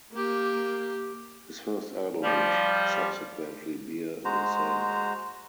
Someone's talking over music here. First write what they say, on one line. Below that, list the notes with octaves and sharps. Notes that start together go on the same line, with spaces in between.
His first album would subsequently bear the same name.
A#3 G4
F3 G3
G#3 F#4 C5 A#5